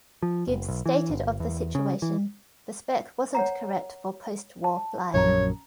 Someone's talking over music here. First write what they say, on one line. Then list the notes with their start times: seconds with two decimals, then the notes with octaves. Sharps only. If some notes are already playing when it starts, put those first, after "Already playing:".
Gibbs stated of the situation: the spec wasn't correct for post-war flying.
0.23 F3
0.48 F#1
0.68 B1
0.86 E3
1.10 G1
1.40 E2
1.75 C#3
2.02 E3
3.35 C#5 F#5 A#5
4.64 A5
5.14 A#1 F#2 C#4 C#5 A#5